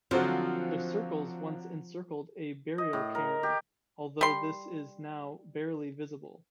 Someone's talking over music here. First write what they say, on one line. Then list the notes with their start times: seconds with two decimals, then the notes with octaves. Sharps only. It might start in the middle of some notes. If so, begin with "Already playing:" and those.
The circles once encircled a burial cairn although this is now barely visible.
0.11 D3 F3 F#3 C4
2.78 D#5
2.93 A2
3.15 A#4
3.43 G4
4.21 G3 C6